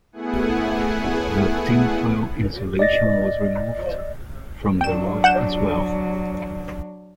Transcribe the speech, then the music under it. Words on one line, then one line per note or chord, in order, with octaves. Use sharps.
The "tin foil" insulation was removed from the roof as well.
A3 B3 E4 G#4 F#5 G#5
D5 D#5 A6 A#6
F#3 D4 G5 E7
F#5 G6 E7